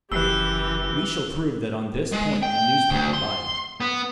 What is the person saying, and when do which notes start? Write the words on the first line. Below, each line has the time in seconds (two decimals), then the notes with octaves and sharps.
We shall prove that on this point the newspaper lied.
0.12 F#1 E3 G4 E6 F#6
2.12 G#3
2.43 G5
2.91 D2
3.13 C6
3.81 B3